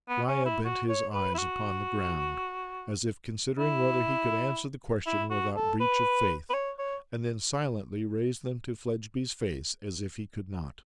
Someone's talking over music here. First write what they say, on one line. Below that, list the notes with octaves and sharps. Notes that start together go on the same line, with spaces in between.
Riah bent his eyes upon the ground, as if considering whether he could answer the question without breach of faith, and then silently raised them to Fledgeby's face, as if he could not.
B3
C#4
E4
F#4
C#5
B4
E4
F#4
E4
E4
F#4
A4
B4
B4
C#5
C#5